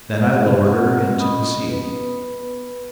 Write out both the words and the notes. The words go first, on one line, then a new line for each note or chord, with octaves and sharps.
Then I lowered her into the sea.
C5
A#3 C4 F4 B4 F#5
C#4 D#5 B5 D#6
B3 B4